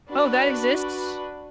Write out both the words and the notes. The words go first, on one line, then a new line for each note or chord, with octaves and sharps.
Oh, that exists?
D4 F#4 B4